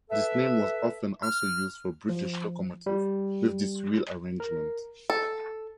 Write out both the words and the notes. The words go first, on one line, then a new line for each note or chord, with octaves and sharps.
This name was often also used for British locomotives with this wheel arrangement.
A4 B4 E5
F6
F3
G3
A#4
A4